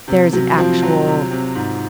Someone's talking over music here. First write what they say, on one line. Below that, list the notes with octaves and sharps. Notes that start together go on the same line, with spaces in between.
there's an actual
C3
C3 F#3
F3 C4
F#3
C3
C3
G#2